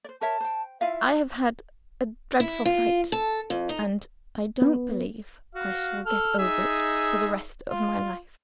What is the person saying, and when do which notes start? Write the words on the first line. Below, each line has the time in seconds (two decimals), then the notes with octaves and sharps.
"I have had a dreadful fright; and I don't believe I shall get over it for the rest of my life."
0.04 C5 D5
0.21 A#4 C#5 E5 A5
0.41 C5 G5
0.81 E4 F4 E5 F5
2.40 E4
2.65 F4
3.12 A4
3.50 F2
3.69 D#4
4.62 B3
5.55 F#4 F5
6.06 A4 F6
6.39 D#4 G#4 E5
7.70 F4